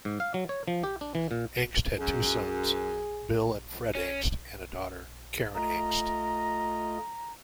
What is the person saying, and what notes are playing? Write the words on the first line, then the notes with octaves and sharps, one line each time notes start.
Engst had two sons, Bill and Fred Engst and a daughter, Karen Engst.
G#2
F5
F#3
C#5
F3
G4
D4
E3
A#2
F#2 G#4
C#4
A3 F4 D#5 A#5